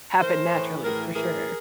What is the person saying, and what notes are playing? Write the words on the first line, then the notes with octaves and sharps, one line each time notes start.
happen naturally for sure.
A2 E3 A#4 C5
A2 E3
A2 E3 G#4 A#4
A2 E3 G#4 A#4